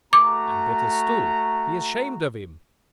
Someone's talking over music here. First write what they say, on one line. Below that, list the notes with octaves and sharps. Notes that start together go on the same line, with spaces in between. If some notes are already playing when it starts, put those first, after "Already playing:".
And better still: be ashamed of him!
A3 F#4 A#5 D6